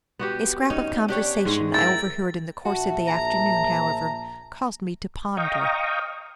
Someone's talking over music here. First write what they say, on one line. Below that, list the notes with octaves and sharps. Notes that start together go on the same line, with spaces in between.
A scrap of conversation I overheard in the course of the afternoon, however, caused me to ponder.
B3 F#4 G4
C#4 D#4
D4 G4 C#5
G#2 G#3
E4 A#4 G5 A6
A#1 F#4 E5 A5
A#5
D#5 F5 G5 A#5 C#6 D#6